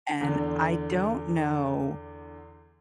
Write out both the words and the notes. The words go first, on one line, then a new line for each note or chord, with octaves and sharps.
and I don't know
E2 D3